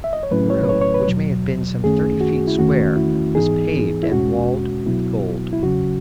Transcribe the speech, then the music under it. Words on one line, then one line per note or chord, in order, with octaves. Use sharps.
The room, which may have been some thirty feet square, was paved and walled with gold.
E5
D#5
C#5
A2 F#3 A3 C#4 E4 B4
C#5
B4
C#5
C#5
B4
E2 B2 F#3
F#2 D#3 A3 C#4 G#4
F#4
E4
E2 D#3 A3 C#4 F#4
E4
G#2 E3 B3 D#4 G#4
E4
E2 B2 G#3 C#4 F#4
B2 F#3 B3 E4
E4
E2 C#3 F#3 C#4 F#4